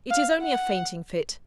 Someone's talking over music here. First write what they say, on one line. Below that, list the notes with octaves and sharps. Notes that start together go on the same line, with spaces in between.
'It is only a fainting-fit.
F5
F#5